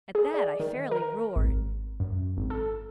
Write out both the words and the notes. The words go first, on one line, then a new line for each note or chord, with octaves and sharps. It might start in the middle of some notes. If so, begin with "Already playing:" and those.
At that I fairly roared.
G#4
D5
D#3
A#4
G#1
F#2
G#1
A4